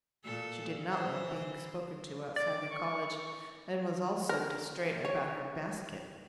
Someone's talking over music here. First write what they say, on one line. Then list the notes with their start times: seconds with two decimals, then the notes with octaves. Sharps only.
She did not like being spoken to outside the college, and was also distrait about her basket.
0.24 A#2 A4
0.88 E3 C5
2.36 D5 D6
2.70 C#6
4.29 A#4
5.05 C#5